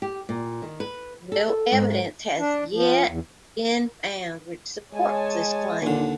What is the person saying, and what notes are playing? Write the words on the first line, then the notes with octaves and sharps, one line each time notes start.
No evidence has yet been found which supports this claim.
G4
A#2
D#3
B4
A4
G#2
D4
F3
E2
G#3 C#5 G#5 A5
D#2 A#2 D3